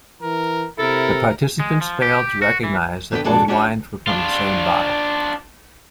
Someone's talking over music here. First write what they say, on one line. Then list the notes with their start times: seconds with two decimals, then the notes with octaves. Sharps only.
The participants failed to recognize that both wines were from the same bottle.
0.22 E3 A#4
0.79 C3 E4 A4 A#4
1.60 G#3
1.81 F3
2.02 G4
2.42 F#4
2.64 E3
3.11 A#2 D3 B3 G4 B4 G5
3.24 F2 G#3 D4 F#4 A4 D5
3.48 C#4 D4 F#4 A#4 C5 C#5
4.08 D4 F4